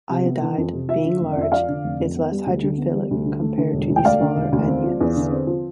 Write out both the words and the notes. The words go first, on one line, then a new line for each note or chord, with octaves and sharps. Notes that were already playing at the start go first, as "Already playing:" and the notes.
Iodide, being large, is less hydrophilic compared to the smaller anions.
C3
B3
E3
F2
C3
F3 E5
D3
F1
D5
F2 E5
F3 D5 F5
D3
F1
F2
B3
G3
D2
D3
B3
G3
D2
D3
A3
D3
E1
D2
G5
A3 D5 F5
D3
E1
D2
C4
F3
E2
D3
C4
F3